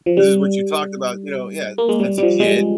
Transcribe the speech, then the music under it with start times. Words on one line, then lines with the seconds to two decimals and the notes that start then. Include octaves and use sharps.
this is what you talked about, you know" yeah, "...since a kid,
0.06 F3
0.17 G3
1.78 A#3
1.89 G#3
2.00 G3
2.18 G3
2.23 F3
2.40 G#3
2.46 G3